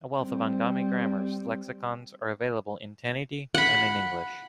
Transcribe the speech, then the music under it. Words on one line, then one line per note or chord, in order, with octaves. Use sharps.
A wealth of Angami grammars, lexicons are available in Tenyidie and in English.
G3 C4
F#5 B5